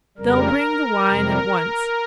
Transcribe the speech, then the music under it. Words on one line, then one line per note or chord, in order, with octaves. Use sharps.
They'll bring the wine at once....
F2 C#3 G3 A#4
F2 C3 G3